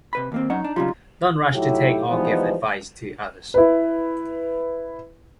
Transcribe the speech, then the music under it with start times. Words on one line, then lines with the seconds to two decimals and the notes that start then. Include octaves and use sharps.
Don’t rush to take or give advice to others.
0.13 C3 B4 B5
0.32 D#2 A#3 C4
0.50 F#2 C#4 D#4 F#5
0.64 D4
0.76 C#3 F#3 G3 F4
1.53 A2 F#3 D#4 E4 G4
2.09 E3 F3 G3 G#3 B3 D#4
3.54 E4 B4